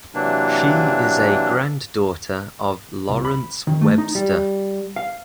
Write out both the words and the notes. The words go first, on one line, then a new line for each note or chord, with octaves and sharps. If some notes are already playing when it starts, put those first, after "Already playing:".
She is a granddaughter of Lawrence Webster.
C3 E3 F#3 A#3 D4
C2
B5
D#3
A3
D#4
G3
F5